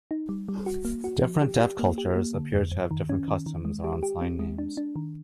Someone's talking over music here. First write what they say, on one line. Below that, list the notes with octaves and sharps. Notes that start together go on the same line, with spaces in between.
Different deaf cultures appear to have different customs around sign names.
D#4
G3
G3
F#4
A#3
F#4
F3
G4
G4
A#3
G4
A#3
D3
F2
F2
D#3
C#4
D#3
D#3
G#3
G4
G4
C4
G#3
D4
D4
D#3